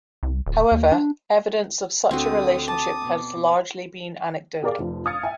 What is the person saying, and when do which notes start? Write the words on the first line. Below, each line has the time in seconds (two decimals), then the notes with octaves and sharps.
However, evidence of such a relationship has largely been anecdotal.
0.23 C2
0.46 D1
0.72 D#2
0.92 D4
2.11 D2 D3 C4 F#4 D#6
2.68 A5 D6 D#6
3.03 B2
4.63 G4 G#4 A#4 D5 F5 D6
4.79 F1 F3
5.05 F5 D#6 F6 G#6 A6 C#7
5.23 E5 G5 G#5